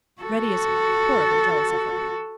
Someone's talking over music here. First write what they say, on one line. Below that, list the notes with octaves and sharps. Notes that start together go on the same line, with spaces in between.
Reddy is horribly jealous of her.
F#4 A4